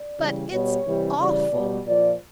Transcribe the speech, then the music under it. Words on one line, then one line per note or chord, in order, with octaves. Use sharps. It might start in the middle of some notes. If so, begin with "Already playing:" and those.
"But, it's awful."
Already playing: D5
C#3 E3 G3
B2 G3 C#5
C3 E3 G3
C#3 E3 G3 D5
B2 G3
A#2 F3 D5